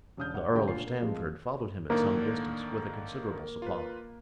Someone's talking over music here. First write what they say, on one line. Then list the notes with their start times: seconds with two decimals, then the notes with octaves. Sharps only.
The earl of Stamford followed him at some distance With a considerable supply.
0.17 E1 C#3 D4 D#6 F6 G6
0.34 C#5 F#5
0.54 D#2 C#3 G#3 F#4 G5 G6
0.68 D2 A#2 F4 G#5 C7
0.86 A#3
1.01 F2 F3 G#3
1.90 A2 D3 D#3 A#3
3.62 F4 B4